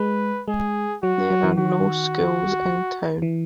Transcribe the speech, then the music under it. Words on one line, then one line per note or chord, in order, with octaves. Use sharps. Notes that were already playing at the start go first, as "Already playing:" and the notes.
There are no schools in town.
Already playing: G#3 B4
G#3 G#4
F#3 F#4
F#3
E3
D#3 F#4
E3